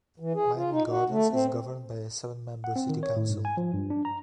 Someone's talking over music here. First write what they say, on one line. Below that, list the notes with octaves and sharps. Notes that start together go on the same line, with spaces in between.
Miami Gardens is governed by a seven-member City Council.
E3
G#4
F4
D#4
F#4
A3
C4
F#5
C4
D#3
C#5
A2
G#2
G#5
F3
G2
D4
A#5